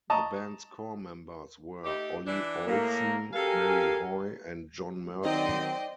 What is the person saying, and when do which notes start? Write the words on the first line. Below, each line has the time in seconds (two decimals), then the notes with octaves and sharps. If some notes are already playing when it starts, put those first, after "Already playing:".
The band's core members were Ollie Olsen, Marie Hoy and John Murphy.
0.10 D#5 A5 A#5 C#6 D#6
1.84 A3 D#4 G4
2.26 E3 D4
2.67 A2 A#3
3.33 F#2 G4 A4 A#4 F5 G#5
5.25 D#3 F#3 C4 D#4 C5 D5 D#5 G5